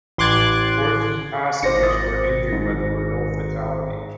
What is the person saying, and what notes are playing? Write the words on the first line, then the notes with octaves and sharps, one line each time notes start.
Fourteen passengers were injured, but there were no fatalities.
A1 C6 D6 F#6 G#6 A6
G#1 D#4 C5 D6 A#6 C#7
D#6 A6
G#2